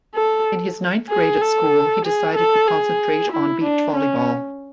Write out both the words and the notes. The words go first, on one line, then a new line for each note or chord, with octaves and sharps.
In his ninth grade at school he decided to concentrate on beach volleyball.
A4
G#4
A4
G#4
A4
G#4
E4
D4
C#4